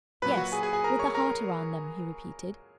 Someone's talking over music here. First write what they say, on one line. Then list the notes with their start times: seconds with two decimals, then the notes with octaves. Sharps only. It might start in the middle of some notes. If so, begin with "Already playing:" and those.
"Yes, with a heart around them," he repeated.
0.22 A#2 F#3 B4 B5
0.37 F#4 F#5
0.52 G#4 G#5
0.63 G#4 G#5
0.73 G#4 G#5
0.84 A#4 A#5
0.99 C#5 C#6
1.14 A#4 A#5